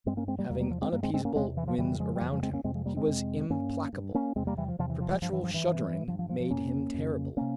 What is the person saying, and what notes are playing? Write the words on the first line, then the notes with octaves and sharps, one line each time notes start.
Having unappeasable winds around him, he was implacable. Perpetual shuddering made him terrible.
G2 G#3 C4
A#3 C#4
G#3 C4
G3 A#3
E2 C3 G3 A#3
G3 A#3
F3
G#3 C4
G2 G3 A#3
G#3 C4
G#3 C4
A#3 C#4
E2 C3 G#3 C4
E3
F3
F2 C#3 E3 G3
F3 G#3
G3
F2 C#3 F3
F3 G#3
G#3 C4
A#3 C#4
F2 C3 G#3 C4
F3 G#3
G3 A#3
G#3 C4
F2 C3
G2 A#3 C#4
G2
A#3 C#4
E2 C3 G#3 C4
G3 A#3
E3 G3
F3
E2 C3 F3
E3
F3
F3 G#3
G2 F3
E3
F3
E3
G2
G2 F3
F3
F3
F3
F2 C3 A#3 C#4
F2 C#3
C3 A#3 C#4